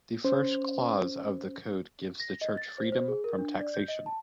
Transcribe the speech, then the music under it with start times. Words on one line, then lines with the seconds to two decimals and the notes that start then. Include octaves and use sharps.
The first clause of the code gives the Church freedom from taxation.
0.24 C#4 C5
2.20 A#6
2.41 D#5
2.57 A6
2.78 C5
2.92 C5
3.08 G#4
3.24 A#4
3.38 D4
3.61 D5
3.74 G6
3.88 D#5
4.06 A5